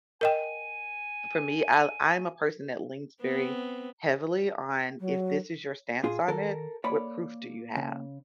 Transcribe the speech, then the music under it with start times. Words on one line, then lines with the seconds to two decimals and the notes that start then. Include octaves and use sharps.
for me, I I'm a person that leans very heavily on, "If this is your stance on it, what proof do you have?"
0.21 A#4 D#5 G5 G#5
3.22 B3 C4
5.00 F#3
6.04 A#2 F4 G#4
6.28 D#3 A4 A#4
6.84 A#3 C#5 D5 B5
7.77 C#3